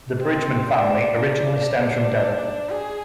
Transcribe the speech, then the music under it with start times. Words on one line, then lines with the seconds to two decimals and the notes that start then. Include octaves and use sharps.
The Bridgeman family originally stems from Devon.
0.20 C4
0.69 D4
1.20 D4
2.70 G#4